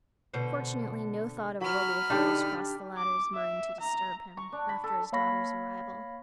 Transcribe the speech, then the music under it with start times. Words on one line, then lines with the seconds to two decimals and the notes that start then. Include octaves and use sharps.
Fortunately, no thought of worldly affairs crossed the latter's mind, to disturb him, after his daughter's arrival.
0.34 B2 D3 C5
1.61 F#3 B5 F6
2.10 D3 D4 D#4 G4 D5
2.97 D6
3.34 E5
3.80 A#5
4.37 C#6
4.53 D4
4.69 B5
4.84 A4
5.12 A#3 C#5 F5 B5 C#6 A#6